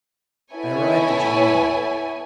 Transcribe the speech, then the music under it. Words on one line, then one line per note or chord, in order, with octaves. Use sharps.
I arrived at Geneva.
B3 E4 A4 C#5 G#5